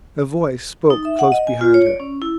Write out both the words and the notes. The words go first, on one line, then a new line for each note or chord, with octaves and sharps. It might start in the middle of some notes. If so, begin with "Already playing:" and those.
A voice spoke close behind her.
D#4
E5
F#5
D#5
G#5
F4
C#5
D5
C#4
E4